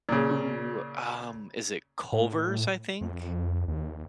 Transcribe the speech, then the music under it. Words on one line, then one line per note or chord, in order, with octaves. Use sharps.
Ooh, um, is it Culver's, I think?
A#2 C#3
A2
F2
D#2